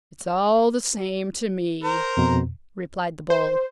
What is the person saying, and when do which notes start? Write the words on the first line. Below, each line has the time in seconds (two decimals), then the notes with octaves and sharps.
"It's all the same to me," replied the Bull.
1.83 A#4 C5 A#5
2.17 F2 B2
3.30 C5